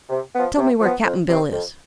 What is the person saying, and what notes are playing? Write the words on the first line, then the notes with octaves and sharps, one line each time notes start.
"Tell me where Cap'n Bill is."
C3
F3 B3
C3
F3 B3
F2
C3 E3 G3 C4
F2